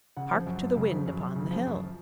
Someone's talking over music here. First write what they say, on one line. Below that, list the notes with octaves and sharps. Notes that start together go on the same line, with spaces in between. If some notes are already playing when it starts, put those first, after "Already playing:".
Hark to the wind upon the hill!
C#3 F#5
F3
F#2
F#2
C#3
F3
F#2
F#2
C#3
F3
F#2